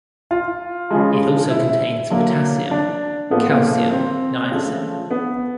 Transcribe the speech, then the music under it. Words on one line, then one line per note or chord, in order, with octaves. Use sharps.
It also contains potassium, calcium, niacin.
F4
C#3 F3 G#3
E4
D3 F#3 A#3
D4
A2 F3 A#3 B3
A#3
A#3
C4
C#3 F3 A3
B3